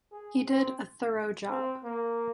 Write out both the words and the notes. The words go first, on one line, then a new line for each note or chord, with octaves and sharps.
He did a thorough job.
G#4
C4
C4
A#3